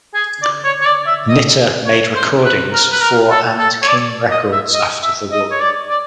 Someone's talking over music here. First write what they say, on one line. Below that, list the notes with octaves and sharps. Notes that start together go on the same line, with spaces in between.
Nitta made recordings for and King Records after the war.
G#4
D5
C#5
C#5
D5
E5
D#5
C#5
C5
B4
A#4
B4
A#4
A4
A4
C#5
D5
D#5
E5
D#5
E5
D#5
C#5
D5
D5